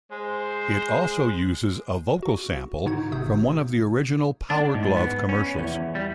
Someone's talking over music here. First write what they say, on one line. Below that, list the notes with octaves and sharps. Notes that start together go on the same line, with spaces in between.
It also uses a vocal sample from one of the original Power Glove commercials.
G#3 C5
F#4
G#2 D3 D#4 F#4 F#5 G#6
G#1 C3 A3 D#6 G6
D4
G#2
B3
C#4
E2
G3